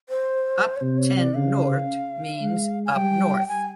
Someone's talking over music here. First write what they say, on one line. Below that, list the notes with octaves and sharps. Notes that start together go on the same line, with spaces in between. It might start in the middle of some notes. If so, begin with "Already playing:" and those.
Op ten Noort means "Up North".
C5
C#5
C3 C5
C#5
D5
C#3 F5
G#3
G#5
G3 G5
G#5